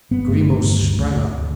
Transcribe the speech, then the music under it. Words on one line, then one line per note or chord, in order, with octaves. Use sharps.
Grimaud sprang up.
G1 B3
G2 A3
D3
G2
D2
D2
D2